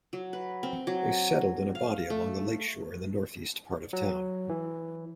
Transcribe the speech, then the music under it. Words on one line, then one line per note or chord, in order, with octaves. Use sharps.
They settled in a body along the lakeshore in the northeast part of town.
F#3
B4
C4
F#3
F5
A3
F#3
E3